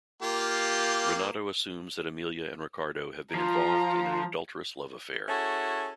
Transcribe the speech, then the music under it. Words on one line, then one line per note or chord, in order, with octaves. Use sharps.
Renato assumes that Amelia and Riccardo have been involved in an adulterous love affair.
A#3 F4 G4
F3 F4 A#5
C#4 E4 F#4 G#4 A4